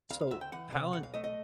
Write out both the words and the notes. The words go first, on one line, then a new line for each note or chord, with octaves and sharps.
So, Palant
D2 F5
F5
D2 E5
G5
E3 F#5
C3 F5
B1 F#5
F5
A3 D#5
D#5